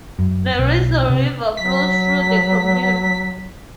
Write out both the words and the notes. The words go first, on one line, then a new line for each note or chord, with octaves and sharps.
The Risle river flows through the commune.
F#2
B1
C3
F#3 B6